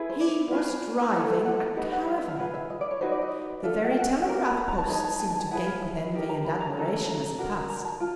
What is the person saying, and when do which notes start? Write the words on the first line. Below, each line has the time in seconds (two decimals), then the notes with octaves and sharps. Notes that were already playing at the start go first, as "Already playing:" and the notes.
He was driving a caravan. The very telegraph posts seemed to gape with envy and admiration as he passed.
Already playing: E4 G#4 B4
0.10 C5
0.20 D5
0.51 F4 G#4 B4
1.13 E4 A4
1.45 F#5
1.56 F#5
1.76 D#4 G4 B4 F#5
1.92 F#5
2.07 F5
2.18 E5
2.29 F5
2.38 F4 G#4 B4 F#5
2.54 E5
2.70 D#5
2.81 D5
2.91 C#5
3.01 D#4 F#4 B4 C5
3.12 D5
3.21 D#5
3.63 D4 F4 A4 E5
3.74 F5
3.84 F#5
3.91 G5
3.98 F#5
4.27 D4 F#4 A#4
4.47 A#5
4.57 B5
4.68 A#5
4.78 A5
4.88 D#4 G#4 B4 A5
5.00 A#5
5.04 A5
5.20 G#5
5.30 A5
5.40 G#5
5.51 E4 G#4 B4 F#5
5.66 F5
6.14 D#4 G4 A#4
6.29 A#5
6.44 B5
6.60 A#5
6.76 C#4 F#4 A4
6.86 A#5
6.97 A#5
7.07 A#5
7.38 D4 F#4 A#4
7.70 A#5
7.85 A5
8.00 F4